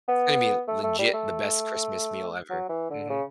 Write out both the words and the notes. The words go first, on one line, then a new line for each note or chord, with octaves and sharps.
It's gonna be legit the best Christmas meal ever. Mhm.
B3
A3
A3
G3
A3
F#3
E3
D3
C#3